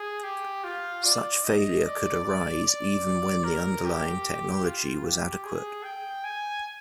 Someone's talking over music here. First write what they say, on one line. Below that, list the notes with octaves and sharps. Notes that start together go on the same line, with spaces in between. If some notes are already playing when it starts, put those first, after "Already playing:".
Such failure could arise even when the underlying technology was adequate.
Already playing: G#4
G4
F4
D5
D#5
D5
D5
D5
A#4
G4
F4
G4
G#4
G5
G#5